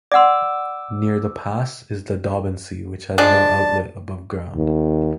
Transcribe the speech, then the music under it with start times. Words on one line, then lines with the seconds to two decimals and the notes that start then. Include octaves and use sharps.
Near the pass is the Daubensee, which has no outlet above ground.
0.12 D5 F#5 C6 D6 E6
3.18 F3 G#3 D4 A5
4.55 D#2